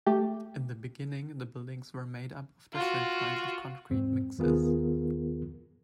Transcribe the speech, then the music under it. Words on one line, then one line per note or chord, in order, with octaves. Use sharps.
In the beginning the buildings were made up of different kinds of concrete mixes.
A3 G4
F4 F#4
E2 G#2 C4
D#2 D#3 B3 F4 G#4 A#4